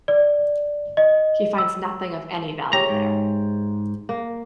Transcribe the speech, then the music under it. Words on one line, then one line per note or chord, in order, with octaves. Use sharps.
He finds nothing of any value there.
D5
D#5
E6
G4 C#5 E5 A#5
G#2
A#3